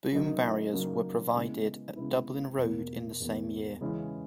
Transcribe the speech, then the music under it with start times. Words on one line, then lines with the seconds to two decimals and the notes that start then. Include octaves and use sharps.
Boom barriers were provided at Dublin Road in the same year.
0.11 C#3 F#3 A#3 D#4
0.72 C#3 F#3 A#3 D#4
1.35 C#3 G#3 B3 E4
1.96 C#3 G#3 B3 E4
2.57 E2 B2 A#3
3.20 E2 B2 A#3
3.81 C#3 E3 G#3 C#4 E4